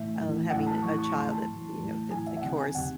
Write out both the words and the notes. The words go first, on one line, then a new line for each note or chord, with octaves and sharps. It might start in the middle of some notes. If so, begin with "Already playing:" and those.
uh, having a child that, you know, that the course
Already playing: A2 E3 E5
A2 E3
A2 E3 F#5
A5
A2 E3 C#6
C#6
A2 E3 C6
A5
A2 E3
A2 E3
A2 E3 G#5
E5
E5
C3 D#3 F#5
G#5
C3 D#3 F#5